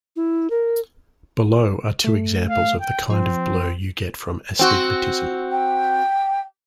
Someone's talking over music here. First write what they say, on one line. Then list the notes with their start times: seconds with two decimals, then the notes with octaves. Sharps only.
Below are two examples of the kind of blur you get from astigmatism.
0.16 E4
0.50 A#4
2.04 A3
2.50 F5
2.80 G5
3.10 F3 C4
4.59 C4 F#4
5.51 G5